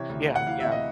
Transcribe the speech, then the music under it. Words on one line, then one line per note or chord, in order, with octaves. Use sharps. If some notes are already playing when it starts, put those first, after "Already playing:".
Yeah, yeah.
Already playing: C3 E3 C#5
D2
D2
F#5
E3 F5
E5
C3
D#5